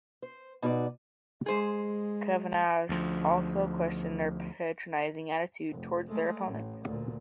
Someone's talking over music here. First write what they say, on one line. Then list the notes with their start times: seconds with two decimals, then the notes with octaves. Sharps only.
Cavanagh also questioned their "patronising" attitude towards their opponents.
0.22 C5
0.62 B2 D#4 F#4 A4 D5
1.46 G#3 G#4 C5
2.89 D2 F3
5.72 F1
6.08 G#3 A3
6.46 A1
6.85 D2 A#2